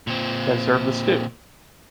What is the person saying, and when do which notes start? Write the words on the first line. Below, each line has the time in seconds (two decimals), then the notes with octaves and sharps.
Then serve the stew.
0.07 A#2 C4